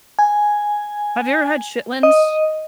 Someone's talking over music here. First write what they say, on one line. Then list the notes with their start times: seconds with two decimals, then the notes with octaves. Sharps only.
Have you ever had chitlins?
0.19 G#5
2.03 D#5